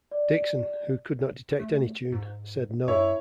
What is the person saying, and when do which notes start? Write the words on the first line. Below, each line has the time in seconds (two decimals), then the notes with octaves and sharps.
Dickson, who could not detect any tune, said no.
0.11 D5
1.59 A3
2.12 G#2
2.88 F#2 E4 C#5